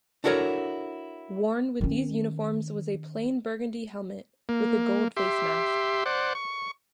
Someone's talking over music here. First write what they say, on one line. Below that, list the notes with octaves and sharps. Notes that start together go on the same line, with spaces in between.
Worn with these uniforms was a plain burgundy helmet with a gold facemask.
D4 E4 F#4 A4 A#4 C#5
D#3 C#4
A#3
G4 E5 C6
C5 D5 F#5
C#6